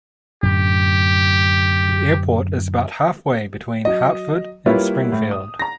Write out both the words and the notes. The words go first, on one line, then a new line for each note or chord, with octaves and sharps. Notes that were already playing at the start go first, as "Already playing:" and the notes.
The airport is about halfway between Hartford and Springfield.
F#2 A2 D3 G4
F#3 D#5
G3 A#3 E4 F4 B4 C#5
A2
D#6
A#5 A#6